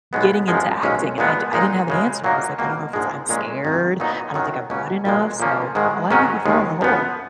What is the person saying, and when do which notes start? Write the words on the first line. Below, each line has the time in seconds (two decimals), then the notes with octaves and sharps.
getting into acting," and I I didn't have an answer, I was, like, "I don't know if it's I'm scared, I don't think I'm good enough," so a lotta people fall in the hole.
0.13 B1 B2 G#3 B3
0.48 F#2 F3 G#3
0.83 B1 A#2 G#3 C#4
1.18 A#2 F3 G#3 B3
1.53 A#2 G#3 D#4
1.88 F#2 C#3 G#3
2.24 A#2 F#3 A#3 D#4
2.59 C#2 B2 A#3
2.93 A#1 G#2 F3 G#3
3.29 A#1 A#2 G#3 C#4
3.64 G#1 F#2 D#3
4.00 A#2 F#3 B3 D#4
4.34 F#2 D#3 F#3
4.70 C#2 B2 A#3 C#4
5.05 B1 A#2 F3 G#3
5.40 A#2 F3 A#3 C#4
5.75 G#2 D#3 G#3
6.10 G#2 D#3 F#3 C#4
6.46 D#2 D#3 G#3
6.81 F#2 F3 B3